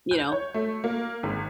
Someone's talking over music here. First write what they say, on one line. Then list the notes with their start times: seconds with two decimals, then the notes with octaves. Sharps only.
you know
0.11 G6
0.32 C#5
0.54 A3
0.84 A#3
1.23 G#1